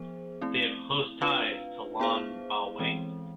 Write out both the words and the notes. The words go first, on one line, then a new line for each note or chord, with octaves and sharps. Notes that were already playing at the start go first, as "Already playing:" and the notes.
They have close ties to the Lun Bawang.
Already playing: F3 B3 G#4 C5
A3 C4 E4
D4 F4 B4 F5
B3 E4 G#4 C5 F5
E3 G#3 C4